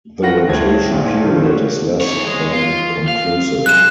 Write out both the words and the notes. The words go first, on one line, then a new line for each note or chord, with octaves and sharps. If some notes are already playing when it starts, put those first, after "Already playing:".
The rotation period is less than conclusive.
F4 F#4 B4 F#5 G5 A#6
D2 G2 C#5 G#6
E5 G5
A#1 A#2
D3 D#3 F3 A#3 F4 A#4
D4 F#4 G4 C#5
E2 C#5
G#3
F4
F5
F#2 G#3 F#6 E7